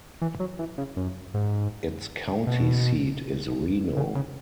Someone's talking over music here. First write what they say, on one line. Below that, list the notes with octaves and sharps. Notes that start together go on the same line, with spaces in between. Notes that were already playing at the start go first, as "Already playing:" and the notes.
Its county seat is Reno.
E3
F#3
E3
C#3
F#2
G#2
B2
C#3
C#3